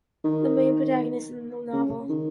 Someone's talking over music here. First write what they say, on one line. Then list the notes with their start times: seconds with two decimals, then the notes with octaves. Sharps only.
The main protagonist in the novel.
0.24 D#3
1.73 C#3
2.09 D#3